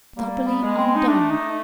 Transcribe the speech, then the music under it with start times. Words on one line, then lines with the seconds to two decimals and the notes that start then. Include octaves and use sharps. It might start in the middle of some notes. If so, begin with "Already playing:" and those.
Doubly undone!
0.17 G3 A#3
0.47 B3
0.62 G#3
0.77 C4
0.95 D#4
1.07 A3 D4
1.30 D#4